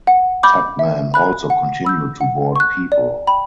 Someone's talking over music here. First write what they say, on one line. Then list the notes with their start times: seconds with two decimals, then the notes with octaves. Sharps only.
Tubman also continued to board people.
0.07 F#5
0.43 B5 D6 G6
0.79 E5
1.14 B5 F#6
1.50 F#5
1.85 B5 E6 G6
2.21 F#5
2.56 C#6 F#6
2.92 D5
3.27 G5 B5